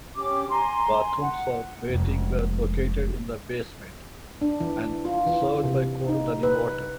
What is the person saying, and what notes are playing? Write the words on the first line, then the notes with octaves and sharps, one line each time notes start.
Bathrooms for bathing were located in the basement, and served by cold running water.
C#4 G4 D6
G#5 A#5 C6
F#5
F1 G#3
D4
E3
F4
E3
C3
D#4
B4